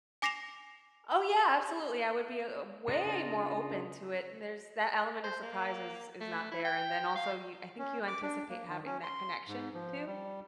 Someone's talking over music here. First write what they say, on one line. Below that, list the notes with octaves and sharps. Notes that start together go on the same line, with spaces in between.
Oh, yeah, absolutely, I would be a a way more open to it, there's that element of surprise is is not there, and then also, yo I think you anticipate having that connection, too,
G#5 D6 A#6 C7 E7 F7
C#3 D4 F4 D#5 A#5
C5
A#3
A3
E4
G5
F5
C#4
D6
D4
A#3
D#3
C#4
C6
G#2
F3
G3